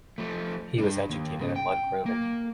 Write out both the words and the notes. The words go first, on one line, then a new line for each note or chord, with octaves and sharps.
He was educated at Ludgrove and Eton.
F3 A3
G2 D4
D#2
G#2 C#3
G5
A#3